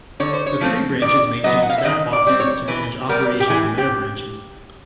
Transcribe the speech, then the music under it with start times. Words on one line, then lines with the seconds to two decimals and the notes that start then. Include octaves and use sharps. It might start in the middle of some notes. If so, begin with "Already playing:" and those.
The three branches maintain staff offices to manage operations in their branches.
0.20 D3 C#5
0.34 C5
0.46 C#5
0.61 F3 A3 C4
1.02 D#3 D5
1.44 F#3 B3 D#5
1.62 F#5
1.70 F5
1.78 E5
1.84 D#3 D#5
2.13 D5
2.26 G3 C4
2.40 C#5
2.68 E3 B4
3.09 G3 B3 A#4
3.40 G4
3.50 E3 G#4
3.78 G4